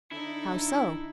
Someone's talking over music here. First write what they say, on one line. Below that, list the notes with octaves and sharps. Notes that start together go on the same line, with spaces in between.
"How so?"
D3 D#4 E4 A4